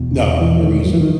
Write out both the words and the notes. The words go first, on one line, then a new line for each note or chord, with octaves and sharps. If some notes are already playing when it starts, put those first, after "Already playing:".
No, very easy,
Already playing: E1 E2 B2
E3
D#3
F#3
E3
D#3